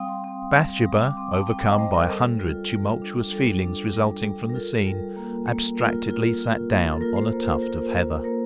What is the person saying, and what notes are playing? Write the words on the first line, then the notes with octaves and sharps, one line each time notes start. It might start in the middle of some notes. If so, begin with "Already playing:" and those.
Bathsheba, overcome by a hundred tumultuous feelings resulting from the scene, abstractedly sat down on a tuft of heather.
Already playing: G3 C4 F5 G5 D#6
C6
C4
G3
G3
D6
C4 C6
A5
C4 G5
D#5
G3 C5
A#4
G3 A4
F4
G3
D4
G3 A4
D4
G3
G3
A#4
F4 A4
G3
A#3
A#3
F4 A#4
F4
F4
A#3
A4
F4 A#4
C5
A#3
C5
F4 A#4
A#3
A#3 A#4